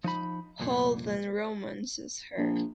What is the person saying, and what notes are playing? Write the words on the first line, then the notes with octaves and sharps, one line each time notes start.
Hall then romances her.
F3 D#4 B5
C2 F2 A#2
A#1